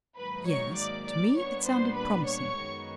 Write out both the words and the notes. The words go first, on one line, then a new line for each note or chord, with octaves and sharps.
"Yes?" To me it sounded promising.
G#2 D#3 F#3 A#3 D#4 B4 B5
C#5 C#6
D5 D6
D5 D6
A#2 G3 B3 D4 C#5 C#6
C5 C6
B4 B5
C#5 C#6
F#2 D#3 G#3 B3